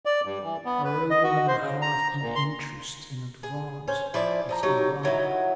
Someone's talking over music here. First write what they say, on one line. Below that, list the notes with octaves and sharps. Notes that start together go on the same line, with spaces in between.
"A rouble and a half, and interest in advance, if you like!"
D5
G2
E3
B3
B4
D#5
F#4
C5
C#3
A#5
A#2
C6
G#4
C#4 C5
F3 E4 D5
F3 D#5 A#5
F#3 D#4 G4
D#3 F#3 E4 D#5